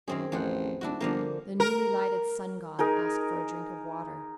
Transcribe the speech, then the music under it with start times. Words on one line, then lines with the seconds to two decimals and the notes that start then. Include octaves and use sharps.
The newly lighted sun-god asked for a drink of water.
0.08 F#2 D#3 C4 G#4
0.32 A1 F2 C5 F#5
0.81 D#1 D4 E4 F#4
1.00 G1 D3 F3 A#3
1.60 A#4
2.79 D#4 G#4 A#4